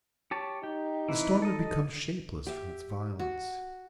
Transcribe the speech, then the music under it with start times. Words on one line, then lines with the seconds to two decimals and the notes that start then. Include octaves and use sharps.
The storm had become shapeless from its violence.
0.31 G4 C#5 A5
0.63 D#4 G4
1.09 E3 C4 B4
1.42 A4 D#5
2.47 G4 E5
3.19 F#4